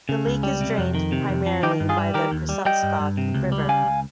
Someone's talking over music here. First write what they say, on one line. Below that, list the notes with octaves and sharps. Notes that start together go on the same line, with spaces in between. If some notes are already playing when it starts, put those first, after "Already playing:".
The lake is drained primarily by the Presumpscot River.
C#3
C#2
G3
C3
F2
D#3
C3
F2
F3
D#3 D#4 G4
G2
F4 G#4
G3
D#3 G4 A#4
D#2
G3
G3 D#5 G5
G2
G2
C3
C#2
G3
C#3 F5 G#5
C#2